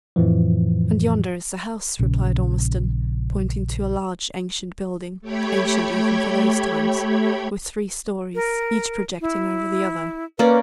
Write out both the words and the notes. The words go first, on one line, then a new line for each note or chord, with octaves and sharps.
"And yonder is the house," replied Ormiston, pointing to a large ancient building--ancient even for those times--with three stories, each projecting over the other.
F2 A2 E3 F3
A#1 C#3
A3 G4 C#5 G5 B5 G#6
A#4
E4
A#3 C#4 B4 D5